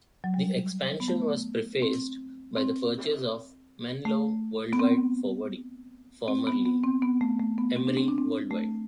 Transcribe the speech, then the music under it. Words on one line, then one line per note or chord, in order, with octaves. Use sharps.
The expansion was prefaced by the purchase of Menlo Worldwide Forwarding, formerly Emery Worldwide.
F#3
G3
B3
A3
C4
C4
A3
B3
C4
C4
B3
B3
C4
B3
A3
A3
B3
C4
D4
C4
D4
C4
A3